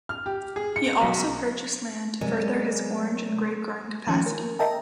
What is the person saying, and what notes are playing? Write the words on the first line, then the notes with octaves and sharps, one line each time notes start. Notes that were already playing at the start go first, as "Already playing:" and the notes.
He also purchased land to further his orange and grape growing capacity.
F6
G4
G#4
C#7
B1
C3 F#3 G#3 A#4 D5 G#5
D#3 F3 C#4
A#4
A#4 D#5 E5 G5 A5 A#5